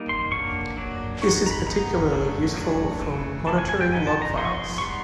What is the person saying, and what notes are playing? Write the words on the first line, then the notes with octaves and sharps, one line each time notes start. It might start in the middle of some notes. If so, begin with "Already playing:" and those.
This is particularly useful for monitoring log files.
Already playing: G3 A#3 D#4
C6
F#3 A#3 D4 C#6
F#3 A#3 D4
D#3 G#3 B3 D#4 C#6
A#5
B5
D#3 G#3 B3 D#4 A#5
F#3 A3 D4
F#3 A3 D4
C#3 E3 A3
C#3 E3 A3 A5
G#5
G#5
G5
F3 G#3 B3 D#4 G#5
A5
A#5
F3 G#3 B3 D#4 C6
C#6
C6
C#6
G3 B3 D#4 C6